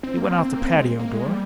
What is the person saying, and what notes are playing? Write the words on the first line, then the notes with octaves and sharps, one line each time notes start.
He went out the patio door.
C4
A#3
C4
C4
A#3
C4
G#3
A#3
G#3
G3